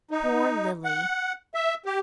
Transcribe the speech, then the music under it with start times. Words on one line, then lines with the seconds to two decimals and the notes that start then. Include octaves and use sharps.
Poor Lily!
0.11 D#4
0.84 F#5
1.55 E5
1.86 G4